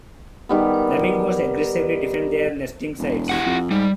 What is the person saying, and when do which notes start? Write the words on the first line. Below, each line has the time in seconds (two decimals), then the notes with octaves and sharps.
Flamingos aggressively defend their nesting sites.
0.49 D#3 G3 B3
2.99 E1
3.29 E4 G4 F#5
3.46 F2
3.71 G#2 G3